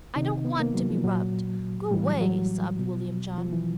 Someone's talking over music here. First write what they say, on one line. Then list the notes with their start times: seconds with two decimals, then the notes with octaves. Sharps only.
"I don't want to be rubbed--g'way," sobbed William John.
0.16 C3 D#3 D#4
0.45 B3
0.60 A#3
0.74 F#3
0.89 F3
1.04 A#2 F#3
1.91 A2 E3 G3
2.06 F#3
2.21 F#3
2.79 B2
3.38 F3
3.52 E3